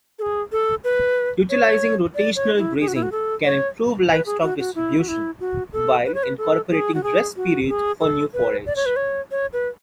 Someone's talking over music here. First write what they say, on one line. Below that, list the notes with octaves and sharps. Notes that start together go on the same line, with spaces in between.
Utilizing rotational grazing can improve livestock distribution while incorporating rest period for new forage.
A4
G#4
A4
B4
C#5
D5
C#5
E4
G#4
F#4
E4
F#4
A4
C#5
B4
G#4
F#4
F#4
E4
F#4
E4
F#4
A4
B4
C#5
B4
A4
G#4
F#4
G#4
F#4
G#4
A4
B4
D5
C#5
B4
C#5
C#5
B4